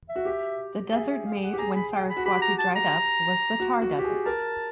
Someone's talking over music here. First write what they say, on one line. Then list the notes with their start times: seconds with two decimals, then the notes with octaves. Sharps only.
The desert made when Saraswati dried up was the Thar desert.
0.09 E5
0.16 F#4
0.25 G4
0.92 G#4 E5
1.09 E5
1.25 F5
1.43 F#5
1.53 G4
1.58 G#4 A#5
1.75 B5
1.92 G5
2.09 B5
2.17 F#4
2.26 G4 B5
2.42 A#5
2.59 A5
2.76 A#5
3.60 F#4
3.82 F#4
3.99 G4
4.04 G#4
4.25 A#4 A5